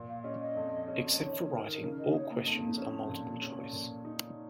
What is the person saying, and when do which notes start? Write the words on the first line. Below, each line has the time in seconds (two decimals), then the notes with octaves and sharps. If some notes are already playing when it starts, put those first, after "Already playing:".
Except for writing, all questions are multiple-choice.
Already playing: A#2
0.08 F5
0.24 C#4 D#5
0.40 D#5
0.56 F2
0.88 C#4
1.10 D#5
1.19 D#3 C#5
1.42 C#5
1.50 D#4 A#4
1.83 C#3 A#4
1.98 D#5
2.14 D#4 C#5
2.30 A#3
2.46 F2 A#3
2.78 C#4
3.09 A#2
3.42 C#4
3.73 A#2
4.05 D#4